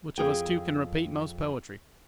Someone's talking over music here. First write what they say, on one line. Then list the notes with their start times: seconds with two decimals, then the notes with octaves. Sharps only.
Which of us two can repeat most poetry?
0.18 F2 G#4 G5